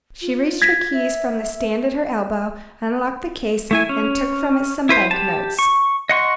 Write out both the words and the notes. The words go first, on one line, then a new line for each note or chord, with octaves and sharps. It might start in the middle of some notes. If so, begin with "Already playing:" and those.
She reached her keys from the stand at her elbow, unlocked the case, and took from it some bank-notes.
F4
G#6 A#6 B6
E5
A3 E4 G#5
C#4
E4 B4 C5
G4 A5
C#6
D#5 F#5 C6 C#6